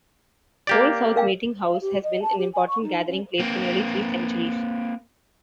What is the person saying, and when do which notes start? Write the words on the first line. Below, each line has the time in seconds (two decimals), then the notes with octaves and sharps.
Old South Meeting House has been an important gathering place for nearly three centuries.
0.67 A#3 G4 D5
1.16 A#4 F5 G5
1.63 F5
1.80 G4
2.03 D#5
2.22 A5
2.38 G4
2.53 G#5
2.67 C#6
2.82 D#4
3.07 C#4
3.39 A#3 C4